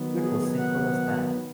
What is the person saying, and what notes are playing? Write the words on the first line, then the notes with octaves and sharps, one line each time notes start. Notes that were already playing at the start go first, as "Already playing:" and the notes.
It was simple as that.
Already playing: D#3 F#3 B3
G#4
F#5